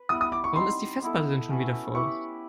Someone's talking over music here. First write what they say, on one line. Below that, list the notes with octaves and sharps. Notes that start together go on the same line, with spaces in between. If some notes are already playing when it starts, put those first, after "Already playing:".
Warum ist die Festplatte denn schon wieder voll?
Already playing: B4
G3 B3 E4 D#6
D#6
D6
C#6
G3 C4 D#4 C6
B3 E4 A4
A3 C#4 F#4 B4
E4 G4 B4 C#6